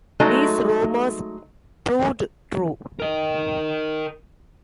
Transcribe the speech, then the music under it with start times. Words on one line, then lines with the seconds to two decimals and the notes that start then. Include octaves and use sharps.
These rumors proved true.
0.20 F#3 G#3 A3 D#4
3.00 A#4 D#5